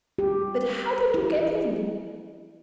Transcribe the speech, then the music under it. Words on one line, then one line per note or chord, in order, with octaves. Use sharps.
"But how did you get in?"
G4
E4